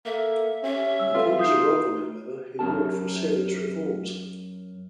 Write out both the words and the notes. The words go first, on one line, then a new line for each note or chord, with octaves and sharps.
Upon his arrival, however, he moved for serious reforms.
A#3 A4 E5
C#4 G4 E5
G3 E6
C4 F4 A4 B4
D#4 D#6 G6 C7
F#2 C#4 A#4 A5